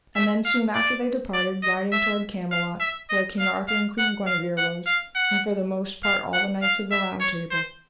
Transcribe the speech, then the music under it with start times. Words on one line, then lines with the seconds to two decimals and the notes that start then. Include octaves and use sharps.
And then soon after they departed, riding toward Camelot, where King Arthur and Queen Guenever was, and for the most part all the knights of the Round Table.
0.16 E5
0.45 F5
0.75 D5
1.34 D5
1.63 D#5
1.92 E5
2.51 F5
2.80 E5
3.10 D#5
3.39 F5
3.68 F5
3.98 F#5
4.27 F5
4.57 F#5
4.86 F5
5.15 F#5
6.04 F5
6.33 F#5
6.62 F5
6.92 E5
7.21 C#5
7.51 C5